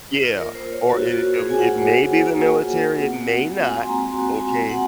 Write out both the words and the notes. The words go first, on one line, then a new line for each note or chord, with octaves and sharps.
yeah, or it it may be the military, it may not, okay,
F4
A#4
A#3
C5
F4
C#5
A#3 F#4
F4 F#4
A#3 G#4
G#5
F4 F#5
A#3
F4
A#3
F4
A#3
C4
F#4
G#3
G#3 G#5
C6
C4 A#5
F#4 C6
G#3 G#5
G#3
F#5